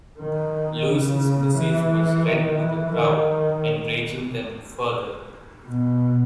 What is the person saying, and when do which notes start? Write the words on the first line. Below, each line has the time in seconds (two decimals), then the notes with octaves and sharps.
Lewis' message was read to the crowd, enraging them further.
0.19 D#3
0.89 C#3
1.57 E3
2.25 D#3
2.59 E3
2.94 D#3
5.68 B2